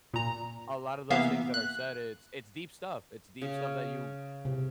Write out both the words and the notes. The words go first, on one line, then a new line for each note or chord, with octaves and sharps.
a lot of those things that are said, it's it's deep stuff. It's deep stuff that you
A#2 A#5
C3 E3 A#3 B3 E5 F5
F#6
C#3
C3